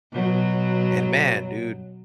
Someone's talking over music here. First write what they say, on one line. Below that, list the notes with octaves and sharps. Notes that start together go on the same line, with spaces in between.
And man, dude,
B2 F#3